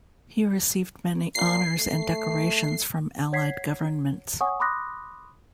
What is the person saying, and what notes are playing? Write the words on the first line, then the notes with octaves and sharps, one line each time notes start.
He received many honours and decorations from Allied governments.
A#2 C7
A3
C#5 F#5 G#6 B6 C7
C#5 F#5 G#5 C#6 D#6
B5 C6 D6 D#6 F#6 A#6